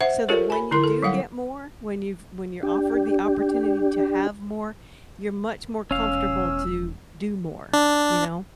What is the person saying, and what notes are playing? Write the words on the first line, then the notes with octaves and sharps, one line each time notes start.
so that when you do get more, when you've when you're offered the opportunity to have more, you're much more comfortable to do more, you know?
C5 E5 F#5
F4 G4 A4 A#4 C#5
G#5 B5
D3 E4 A#4 C6
A4
F#3 G3 F5 F#5
D4 G4
E1 C#4 F5 E6
D4